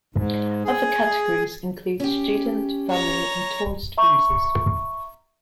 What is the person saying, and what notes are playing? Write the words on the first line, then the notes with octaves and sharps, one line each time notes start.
Other categories include student, family and tourist visas.
G#2
G#4
C#4 G4
C#5 A#5
E5 A#5 C#6